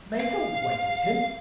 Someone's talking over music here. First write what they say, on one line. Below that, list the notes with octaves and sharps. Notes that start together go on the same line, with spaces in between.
Make away with him!
F5